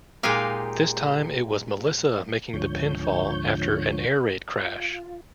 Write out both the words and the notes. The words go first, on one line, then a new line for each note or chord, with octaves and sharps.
This time it was Melissa making the pinfall after an Air Raid Crash.
A#2 G#3 D#4 G4 F5
D2 G#2 D3 F3 C#5 G6
F4